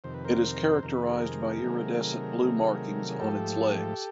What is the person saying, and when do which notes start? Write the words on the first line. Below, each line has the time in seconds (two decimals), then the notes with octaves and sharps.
It is characterized by iridescent blue markings on its legs.
0.04 F2 C3 D#3 C5
0.14 B4
0.25 A#4 C5
0.83 F2 C3 D#3 A#4
0.94 B4
1.05 G#4 A#4
1.61 C3 D#3 F#3 A3
2.41 C3 D#3 F#3 A3
3.09 G#4
3.19 G#2 F3 A3 G4 A4